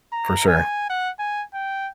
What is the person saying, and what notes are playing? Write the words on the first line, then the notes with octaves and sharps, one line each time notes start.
For sure.
A#5
G#5
F#5
G#5
G5